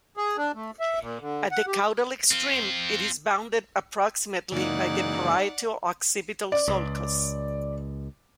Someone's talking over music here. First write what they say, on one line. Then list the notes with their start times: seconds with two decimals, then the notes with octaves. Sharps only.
At the caudal extreme it is bounded approximately by the parieto-occipital sulcus.
0.17 G#4
0.37 D4
0.55 A3
0.80 E5
1.00 A#2
1.21 D3
1.51 F#5
1.67 G4
2.31 C4 F4
4.52 F#2 C#3 E3 G#3 A#3 D#4 D5 F#5
6.52 D5
6.68 C#2